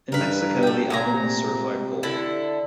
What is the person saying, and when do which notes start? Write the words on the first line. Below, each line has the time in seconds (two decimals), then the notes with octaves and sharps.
In Mexico the album was certified gold.
0.12 G2 A#4 B4
0.63 A3 G5
0.90 A#2 G#5 A#5
1.14 C3
2.03 D3 E4 A4